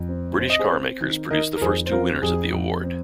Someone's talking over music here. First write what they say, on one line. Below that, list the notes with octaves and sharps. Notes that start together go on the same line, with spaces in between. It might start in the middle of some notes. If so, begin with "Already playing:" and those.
British carmakers produced the first two winners of the award.
Already playing: F2
C4
C4 C5
D#5
G#4 C5
C4
D#3
D#3 A#4 D#5
A#4
F2 G#4 C5
C5
C4 F4 A#4
F2 G#4
F2
C4